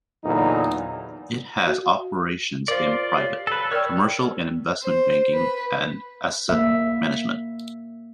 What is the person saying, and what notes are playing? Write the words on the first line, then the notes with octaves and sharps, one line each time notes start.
It has operations in private, commercial and investment banking and asset management.
E2 A#2 D3 F#3 D#4
F#4
F4 A#4 C5 D5
G4 C#5
A4 B4
A#4 C#5 D5 G5 E6 F6
C5
B4
A#3 E5